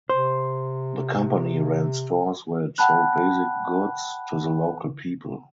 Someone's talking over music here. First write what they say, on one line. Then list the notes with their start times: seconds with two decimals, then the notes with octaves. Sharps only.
The company ran stores were it sold basic goods to the local people.
0.09 C3 C5
2.78 F#5 G5 A5 B5 F#6